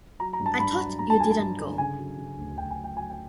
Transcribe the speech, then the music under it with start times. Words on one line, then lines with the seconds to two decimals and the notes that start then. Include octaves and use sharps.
I thought you didn't go.
0.20 F#3 A#5
0.33 A#5
0.40 G2
0.46 A5
0.60 G2 B5
0.73 B5
0.80 F#3
0.99 G2 A#5
1.10 A5
1.19 F#3 G#5
1.31 A5
1.39 G2
1.59 D3
1.78 C#3 G#5
1.98 F#3
2.18 C#3
2.38 D2
2.58 D2 G5
2.71 G#5
2.77 F#3
2.84 G5
2.97 F#3 G#5
3.10 G5